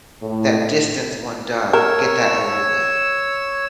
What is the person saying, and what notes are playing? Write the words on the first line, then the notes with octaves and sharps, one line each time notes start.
that distance one done, get that over with.
A2
A#4 C#5 E6